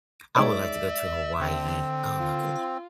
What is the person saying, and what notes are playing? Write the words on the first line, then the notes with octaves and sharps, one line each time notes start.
I would like to go to Hawaii, oh my goodness
G#3 D#4 C#5 D5 E5
D3 C4
F4